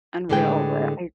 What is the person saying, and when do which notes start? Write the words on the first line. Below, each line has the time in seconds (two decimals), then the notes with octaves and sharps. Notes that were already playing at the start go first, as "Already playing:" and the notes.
unreal, where I
0.29 A2 D3 G#3 G#4 B4 G5